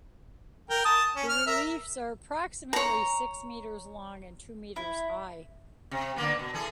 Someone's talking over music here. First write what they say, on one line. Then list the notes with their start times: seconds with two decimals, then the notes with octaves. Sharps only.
The reliefs are approximately six metres long and two metres high.
0.70 A#4 G5
0.85 A5 D#6
1.16 C#4
1.29 F6
1.47 A#4 E5
2.73 C#5 A#5
4.76 E4
5.91 C3
6.16 D3 A#3 B3
6.39 B2
6.54 E3 G#4 A4